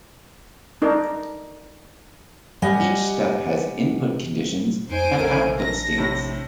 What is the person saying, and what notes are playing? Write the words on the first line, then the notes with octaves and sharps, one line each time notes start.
Each step has "input conditions" and "output states".
D4 D#4 A#4
G3 G4 D#5 F#5 G#5
F2 D#4 C5 G#5 D7
A#1 A4 A#4
D4 A#6
A2 C3